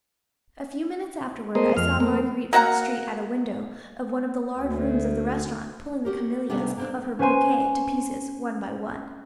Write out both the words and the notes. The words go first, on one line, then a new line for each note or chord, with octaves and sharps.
A few minutes afterward I saw Marguerite from the street at a window of one of the large rooms of the restaurant, pulling the camellias of her bouquet to pieces, one by one.
A3 B3 G#4 A#4 C5 D#5
F2 F6
A3 A#3 C4
A#3 F#4 F#5 A#5
D2
F#4 G4 A#4
C3 G3 A3 B3 C#4 D4
A#3 C4 D4
C#4 B4 C5 G#5 C6